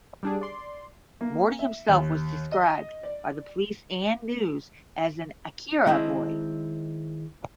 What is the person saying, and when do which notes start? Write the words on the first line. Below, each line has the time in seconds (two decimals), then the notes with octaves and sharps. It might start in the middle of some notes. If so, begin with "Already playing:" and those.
Morty himself was described by the police and news as an ""Akira" boy".
0.23 G3 D4 G#4
0.41 D5 C6
1.21 A#3
1.59 E5
1.89 D#2
2.52 D#5
3.03 D5
5.87 D#3 G#3 C4 D4 E4 D#5